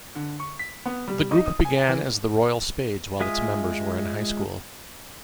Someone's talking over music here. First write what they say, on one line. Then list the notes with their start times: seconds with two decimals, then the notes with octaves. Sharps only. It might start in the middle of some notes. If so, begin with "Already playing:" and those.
The group began as The Royal Spades while its members were in high school.
0.15 D3
0.40 C#6
0.59 B6
0.86 B3
1.08 G3
1.31 D#4
1.46 D#6
1.65 G#5
1.88 E3
3.20 G#3 F4 E5 G#5 D#6